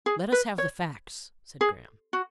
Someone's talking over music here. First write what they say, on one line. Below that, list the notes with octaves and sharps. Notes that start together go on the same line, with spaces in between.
"Let us have the facts," said Graham.
G#4
B4
C#5
G#4
F#4